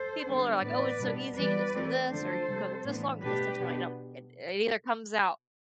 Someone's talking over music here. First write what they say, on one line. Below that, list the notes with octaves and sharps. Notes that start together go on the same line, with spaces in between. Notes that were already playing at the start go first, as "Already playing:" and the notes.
people are like, "Oh, it's so easy. You just do this or you cook it this long at this temperature." I'm like, "No." It it either comes out
Already playing: A4 C5
D3 G3 B3 D4
A2 E3 B3 B4 D5
B2 G3 B3 D4
E3 G3 B3 B4 D5
E3 A3 C4
D3 F3 A3 D4 A4 C5
C3 G3 C4
A2 E3 B3 D4
B2 A3 D4 G4 B4
B2 B3 D4